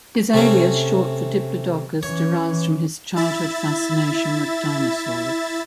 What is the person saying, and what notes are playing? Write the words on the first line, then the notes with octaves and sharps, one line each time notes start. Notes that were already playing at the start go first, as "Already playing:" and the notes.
His alias, short for "Diplodocus", derives from his childhood fascination with dinosaurs.
C3 A3 C#4
E3 C#4 C#5
E4 E5 A6